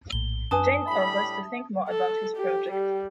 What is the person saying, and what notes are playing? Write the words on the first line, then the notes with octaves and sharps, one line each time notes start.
Jane offers to think more about his project.
A#1 A2 G7
F#2 D4 B4 G#5 A5 D#6
A2 G3 E5 B5
A4
G4
G3